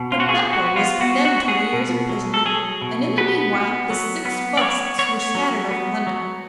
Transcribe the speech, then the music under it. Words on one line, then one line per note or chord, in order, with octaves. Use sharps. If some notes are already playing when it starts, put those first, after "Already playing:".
But Beppo was condemned to a year's imprisonment, and in the meanwhile his six busts were scattered over London.
Already playing: B2
F4
F#4
B3 G#4
F#4
B3
F4
B3 F#4
F#4
B3 F#4
G#4
B2
F#3
A4
F#3 G#4
B2
B3 B4
B3
F#3
B3
D5
B3 C#5
B3 C#5
F#3
B3
F#3